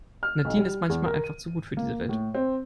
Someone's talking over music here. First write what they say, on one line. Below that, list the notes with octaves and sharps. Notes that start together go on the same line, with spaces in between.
Nadine ist manchmal einfach zu gut für die Welt.
F6
B1
G3
E2
A#4
D#7
A#3
A2
C4